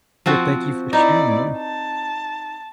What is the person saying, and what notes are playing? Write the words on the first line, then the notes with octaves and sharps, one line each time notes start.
Yeah, thank you for sharing, yeah.
F3 C4 F#4
D#4 E4 D5
A5